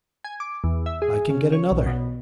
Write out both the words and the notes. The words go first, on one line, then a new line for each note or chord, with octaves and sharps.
'I can get another.
G#5
D6
E2
E5
G#4
C#3
C#5
B1
B2